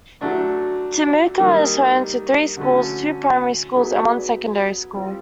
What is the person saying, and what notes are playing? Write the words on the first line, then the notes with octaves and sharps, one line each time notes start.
Temuka is home to three schools, two primary schools and one secondary school.
F#3 A3 D4 F#4
D#3 G3 A#3 D#4
D3 F#3 A3 C#4
F#3 B3 D#4 G#4
G3 C4 F4